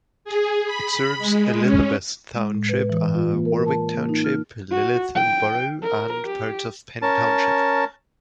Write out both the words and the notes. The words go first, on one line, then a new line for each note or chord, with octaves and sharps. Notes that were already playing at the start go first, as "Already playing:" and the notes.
It serves Elizabeth Township, Warwick Township, Lititz Borough, and parts of Penn Township.
G#4
B5
G#3
C#4
G#3
A2
B4
E3
F4
A#3
A#4
A5
A#3
D#4
F6
F#4
G5
A#4
G4
C#4 A#4 A5